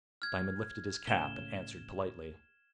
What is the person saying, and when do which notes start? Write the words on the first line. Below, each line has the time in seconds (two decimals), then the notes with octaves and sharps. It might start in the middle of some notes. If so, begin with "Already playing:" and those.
Diamond lifted his cap, and answered politely.
0.22 F6 G#6
1.07 A2 C#3 E7 G7